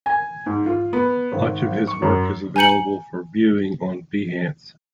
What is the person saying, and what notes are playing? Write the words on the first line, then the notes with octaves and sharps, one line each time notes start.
Much of his work is available for viewing on Behance.
G#5
G#2
F4
B3
G#1
C#6
F#2
G#5 A#5 G6 C#7 F#7